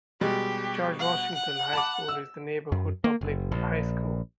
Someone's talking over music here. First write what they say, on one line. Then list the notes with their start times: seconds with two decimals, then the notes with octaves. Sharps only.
George Washington High School is the neighborhood public high school.
0.21 B2 G3 G#3 G4
0.99 F#5
1.34 F#5
1.73 A5 B5 D6
2.08 E6
2.72 F#2
3.04 A#3
3.21 F#1
3.52 A#1